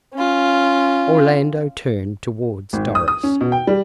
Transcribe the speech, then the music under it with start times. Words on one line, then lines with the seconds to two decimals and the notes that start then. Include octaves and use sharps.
Orlando turned towards Doris.
0.14 C#4 F4
2.73 G#1
2.95 D#6
3.08 D#6
3.23 C#4
3.41 B2
3.52 G5
3.67 G3